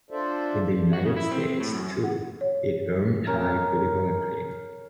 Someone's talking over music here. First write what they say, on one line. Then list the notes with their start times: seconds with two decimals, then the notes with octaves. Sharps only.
In the United States, too, it earned high critical acclaim.
0.11 D4 F4 A4 C5 D5 E5
0.93 F#4
1.05 C#3
1.16 E4
1.31 C4
1.60 A2
1.73 F#2
2.04 F#5
2.41 C#5
3.27 C#4 A#4